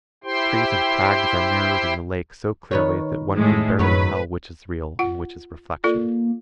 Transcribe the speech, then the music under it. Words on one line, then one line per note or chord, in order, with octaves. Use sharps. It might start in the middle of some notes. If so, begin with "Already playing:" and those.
Trees and crags are mirrored in the lake so clearly that one can barely tell which is real and which is reflection.
E4 G4 C5 G5 C6
D#3 B4 C#5
A2 G#3
F#2 D#3 F#3 B4 C#5
F4 F#5
A#3 F4 A4 D5